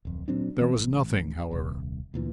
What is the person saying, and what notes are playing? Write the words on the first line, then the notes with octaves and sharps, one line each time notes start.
There was nothing, however.
D1 F2
A#2 F#3 C4 D4
E3 C4
A1
D#1 C2
D2 A#2 E3